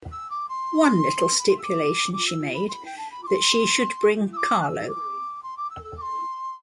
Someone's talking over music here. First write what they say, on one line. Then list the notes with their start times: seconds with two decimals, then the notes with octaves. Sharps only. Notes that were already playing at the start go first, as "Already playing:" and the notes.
One little stipulation she made, that she should bring Carlo.
0.11 E6
0.30 D6
0.48 C6
1.38 B5
1.48 C6
1.58 E6
1.63 D6
2.13 D6
2.26 E6
2.54 B5
2.68 C6
2.72 B5
2.85 G5
2.97 A5
3.11 B5
3.23 D6
3.26 C6
4.33 E6
4.36 D6
4.61 F#6
4.65 E6
4.87 D6
5.42 C6
5.57 D6
5.70 E6
5.84 E6
5.97 D6
6.01 C6